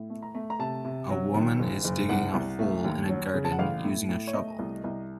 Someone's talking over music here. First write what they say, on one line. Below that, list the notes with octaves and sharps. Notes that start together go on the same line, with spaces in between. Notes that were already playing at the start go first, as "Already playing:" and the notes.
A woman is digging a hole in a garden, using a shovel.
Already playing: A2
A3
A#5
A3
A#5
C3 A5
C3
F#3
D#3
F#1
F#1
C2 F#5
C2
A3
D#2
F#3
C#3
A5
F#5
A1 F5
A2
A2
C#5
A3 D#5
C2
C2